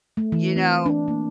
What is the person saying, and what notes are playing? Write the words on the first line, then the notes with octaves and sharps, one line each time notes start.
You know,
A3
E3
C4
D4
A#3